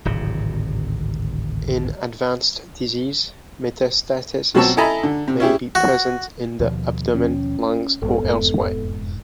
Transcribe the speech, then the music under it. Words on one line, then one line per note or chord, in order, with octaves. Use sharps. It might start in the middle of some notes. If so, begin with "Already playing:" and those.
In advanced disease, metastases may be present in the abdomen, lungs, or elsewhere.
D1 G#1 C3
B2 F#3 C4 C#5 A5 E6
E4 A4 D#5 G#5 A#5 B5
D3
C3
C#4 E4 G4 G#4
F#4
D#2 B2 F3
C#4
A1 G2 B3 A4
E1 F2 G#2